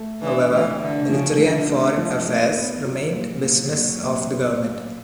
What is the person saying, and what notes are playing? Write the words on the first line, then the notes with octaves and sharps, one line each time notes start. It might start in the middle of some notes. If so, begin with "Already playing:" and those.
However, military and foreign affairs remained business of the government.
Already playing: A3
E3 D4
E3 A3
D3 D4
C#3 F3
D3 F3
A3
F3
A3
B3
F#3
A#2
A#2 F#3
A#2
A#2
B3
A#2